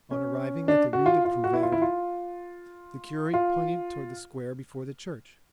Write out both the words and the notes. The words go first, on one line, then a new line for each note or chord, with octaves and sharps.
On arriving at the Rue des Prouvaires, the curate pointed toward the square before the church.
C#4
D4
F#4
F4
F4
F#4
E4
F4
E4
F4
F4